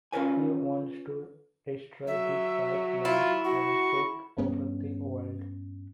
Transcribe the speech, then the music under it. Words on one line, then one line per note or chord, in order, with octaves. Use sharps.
He wants to destroy the Five Lands and take over the world.
C#4 F4 A#4 B4 G#5
F#3 E5
E4 F4
F#4 C#6
G2 B3 C#4